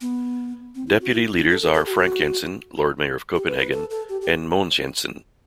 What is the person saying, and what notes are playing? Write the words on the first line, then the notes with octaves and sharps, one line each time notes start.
Deputy leaders are Frank Jensen, Lord Mayor of Copenhagen; and Mogens Jensen.
B3
C4
E4
F#4
E4
D4
A4
A4
A4
G4
F#4
G4
B4
B4
A4
A4
G4
G4